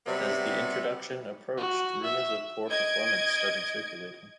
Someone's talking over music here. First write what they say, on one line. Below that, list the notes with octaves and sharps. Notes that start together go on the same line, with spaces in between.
As the introduction approached, rumors of poor performance started circulating.
C3 F#3 G3 B3
F#4
E5
D#5 G#6 D7